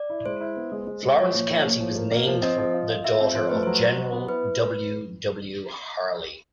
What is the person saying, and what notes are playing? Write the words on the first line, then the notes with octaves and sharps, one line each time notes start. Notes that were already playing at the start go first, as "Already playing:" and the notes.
Florence County was named for the daughter of General W. W. Harllee.
Already playing: D5
E4
G#3 C5
E4
B3
G#3
G#3
G#3
F3 C#5
A#2
F3
A#2
F3
A#3
A#3
F3
C4 D#5
F3
F4
F4
F4 E5
C4
F3 C5
A3 B4
F#3 C5
F#3
F#3
B3
E4 B4